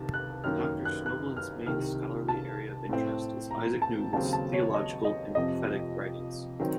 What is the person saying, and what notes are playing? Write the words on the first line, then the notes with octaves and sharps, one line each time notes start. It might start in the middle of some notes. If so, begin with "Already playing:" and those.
Doctor Snobelen's main scholarly area of interest is Isaac Newton's theological and prophetic writings.
Already playing: C2 C3 D#3 A5
F#6
F#2 D#3 A#3 F6
F6
F#6
F#6
F6
C2 C3 D#3 F6
A5
A2 A3 C4
A#5
A5
D#2 C#3 F#3 C4 A5
A5
C#5
D#5
D#5
F2 C3 F3 C4 D#5
D#3 F#3 C4